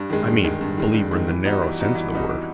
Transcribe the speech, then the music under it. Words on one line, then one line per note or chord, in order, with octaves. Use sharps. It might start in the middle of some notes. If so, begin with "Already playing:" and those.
I mean, a believer in the narrow sense of the word.
Already playing: G2
D#3 G#3
G2
D#3 G#3
G2
D#3 G#3
G2
D#3 G#3
E3
G3 B3 D#4 F#4
E3
G3 B3 D#4 F#4
E3
G3 B3 D#4 F#4
E3